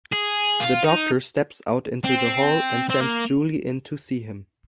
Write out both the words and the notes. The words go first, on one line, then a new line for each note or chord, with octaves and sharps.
The doctor steps out into the hall and sends Julie in to see him.
G#4
F4
D#4
C4
C4
A#3